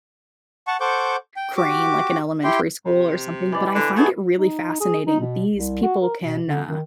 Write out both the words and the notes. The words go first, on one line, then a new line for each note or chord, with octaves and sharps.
crane, like, in elementary school or something, but I find it really fascinating. These people can, uh,
F#5 A5 C#6
A4 C5 F#5 C#6 D6 G6
G5
F#4 G4 D6
E4 G4 G5 C6
C3
E3 D5
D3
A3 B3 G#4
D#4
G#4
D#4
B2
C2
F#4
A#4
B2
D3
D#3